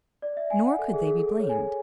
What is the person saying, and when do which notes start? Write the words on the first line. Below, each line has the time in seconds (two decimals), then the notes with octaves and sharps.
Nor could they be blamed.
0.22 D5
0.37 E5
0.50 G#5
0.65 F#5
0.79 A4
0.93 G#4
1.07 G#4
1.18 A4
1.28 A4
1.40 C#5
1.49 G#5